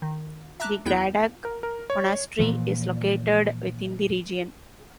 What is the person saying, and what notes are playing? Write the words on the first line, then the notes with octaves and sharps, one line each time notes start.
The Gradac Monastery is located within the region.
D#3
E5 A5 A#5 D6 F#6
E2 B3 E4 G5 G6
A#4
A#4
C#5
A#2 E3 F3